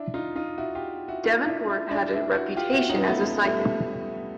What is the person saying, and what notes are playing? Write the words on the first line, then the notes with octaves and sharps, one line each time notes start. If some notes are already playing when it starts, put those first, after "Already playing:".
Devenport had a reputation as a psychic.
Already playing: D4 E4
D#4 F4
D#4 F4
E4 F#4
F4 G4
E4 F#4
D#4 F4
D4 E4
D4 E4
D4 E4
D4 E4
E4 F#4
F4 G4
E4 F#4
C#4 D#4
A3 B3
G3 A3